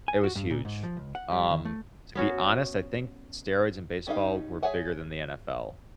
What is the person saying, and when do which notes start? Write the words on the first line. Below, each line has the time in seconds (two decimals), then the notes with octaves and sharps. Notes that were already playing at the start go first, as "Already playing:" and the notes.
It was huge. Um, to be honest, I think steroids in baseball were bigger than the NFL,
0.08 G#5
0.24 F#4
0.36 G2
0.50 A#2
0.65 G#2
0.83 F3
0.97 C#2
1.15 F#5
1.32 G3
1.51 D#3
1.65 A3
2.15 B3 C#4 F#4
4.07 G3 C#4 D#4 A#4 F5
4.63 G#4 C#5 E5 F#5 G#5